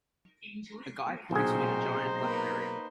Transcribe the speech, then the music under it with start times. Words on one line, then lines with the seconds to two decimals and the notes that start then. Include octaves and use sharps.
A guy pointing at a giant Blackberry.
1.31 B1 A#2 C#3 C4 D#4 G#4 C5
2.21 A#3 A#4 B4